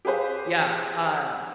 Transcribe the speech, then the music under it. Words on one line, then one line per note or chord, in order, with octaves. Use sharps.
Yeah, um,
G4 G#4 B4 C5 F5